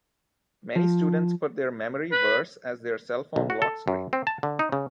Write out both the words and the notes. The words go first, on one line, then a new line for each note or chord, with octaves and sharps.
Many students put their memory verse as their cellphone lock screen.
F3
B4
B1
F#4
A4
F#2
C4
A5
D3
D#4
C#3